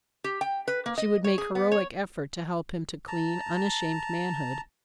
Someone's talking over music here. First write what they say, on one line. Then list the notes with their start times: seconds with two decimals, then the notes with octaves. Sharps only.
She would make heroic effort to help him to clean, unashamed manhood.
0.24 G4
0.41 G5
0.68 B4
0.86 A#3
0.98 D#5
1.24 C#5
1.38 G#4
1.55 B3
1.72 C#5
3.08 A5 A#5